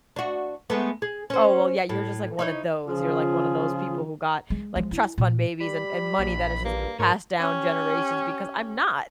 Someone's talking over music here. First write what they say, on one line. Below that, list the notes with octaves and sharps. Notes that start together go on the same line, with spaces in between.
"Oh well, yeah, you're just like one of those, you're, like, one of those people who got, like trust fund babies and and money that has just been passed down generations.", because I'm not.
D4 F#4
G#3 A3 B3
G#4
C#4 C5
A2
D#4 E4 C#5
C#3 F3 F4 G#4
G#3
F3 G#3
E4
A#2
G3 B5
A#1
G2 A#3
G#2 A#4 C#5
C#4 G4